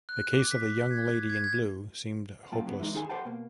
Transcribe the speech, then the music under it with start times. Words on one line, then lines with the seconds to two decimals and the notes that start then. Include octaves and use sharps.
The case of the young lady in blue seemed hopeless.
0.09 F#6
0.34 D6
0.51 B6
0.91 G#6
1.30 G#6
1.44 G#6
2.52 F#2 A#3 F4 G5 A5
2.66 C#3 F#3 A#3 B3
2.79 E3 G#3 D#4
2.94 D#3 D#4 G#4 A4 G#5
3.09 G4 A4 C5 F#5 G5 A5
3.25 B2 A#3